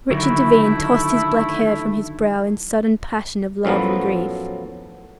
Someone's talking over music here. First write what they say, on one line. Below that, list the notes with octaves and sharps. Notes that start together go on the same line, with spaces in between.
Richard Devine tossed his black hair from his brow in sudden passion of love and grief.
D3 D#3 F#3 A3 E4
F#2 A2 F3 F#3 B3